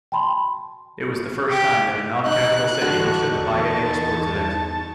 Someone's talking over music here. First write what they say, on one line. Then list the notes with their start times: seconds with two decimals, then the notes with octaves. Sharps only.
It was the first time that a non-capital city hosted the biennial sports event.
0.12 G5 A5 B5 C6
1.51 G4
2.26 D#4 F#6
2.81 E2 D3 D#4 F#4 A4 C#6
3.45 A5